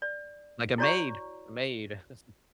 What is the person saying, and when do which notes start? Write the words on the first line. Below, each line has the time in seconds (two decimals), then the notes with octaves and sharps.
Like a maid a maid, uh, that's, um
0.02 D5
0.78 E4 F#4 C#5 D5 A#5 C#6